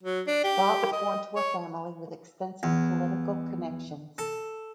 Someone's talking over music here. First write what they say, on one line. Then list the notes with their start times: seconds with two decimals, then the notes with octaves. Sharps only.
Scott was born to a family with extensive political connections.
0.03 F#3
0.27 D4
0.44 G4
0.92 D#5
1.36 C#5
2.63 E2
4.18 A4